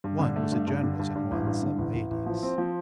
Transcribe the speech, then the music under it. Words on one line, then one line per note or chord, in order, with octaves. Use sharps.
One was a general's and one some lady's.
G2
D3
A3
G2
G2
D3
G2
G2
A1
G2
D3
A1
A1
A1
F3
C4
F3